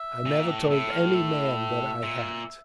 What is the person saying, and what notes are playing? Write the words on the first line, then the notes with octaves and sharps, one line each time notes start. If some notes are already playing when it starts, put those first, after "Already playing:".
"I never told any man that I had it."
Already playing: E5
A#2
A2
A2 E5
F5
E5
A#2